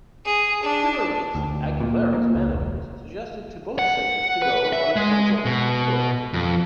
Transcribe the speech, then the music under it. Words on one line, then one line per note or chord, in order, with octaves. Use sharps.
Timberlake's and Aguilera's managers suggested to both singers to go on a conjoint tour.
G#4
D4
D2
A#2
A#3
C#2
E1
F#5
B4
E5
G#3
B2
F2